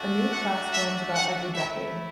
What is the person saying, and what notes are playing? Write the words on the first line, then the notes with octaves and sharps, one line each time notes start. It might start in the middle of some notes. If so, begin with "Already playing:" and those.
A new class forms about every decade.
Already playing: A3 D4 F#4
F#5
E5
F#5
A3 E4 E5